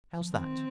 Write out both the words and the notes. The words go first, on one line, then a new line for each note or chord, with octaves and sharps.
How's that?
F3
D#3 C4